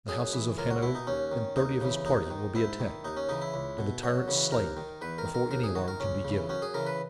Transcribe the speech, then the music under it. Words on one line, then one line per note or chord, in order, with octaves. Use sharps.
The houses of Hanno and thirty of his party will be attacked, and the tyrants slain before any alarm can be given.
F#2 G#4
E3
C#2 A#4
F#4
B2 E4
D#4
D#2 C#4
D#3
D#2 D#4
C#3 E3
D#2 D#4
D#3
G#2 E4
D#3
D#2 D#4
C#4
C#3 E3 D#4
E4
C#2
B2
F#2 F#4
C#3 E3
D#2 A#4
D#3
E2 B4
A#4
D#3
A#4
D#2 A#4
G#4
D#3 F#4
A#4
C#2 C#4
C#3 E3
F#2 C#4
G#4
C#3 E3 A#4
B4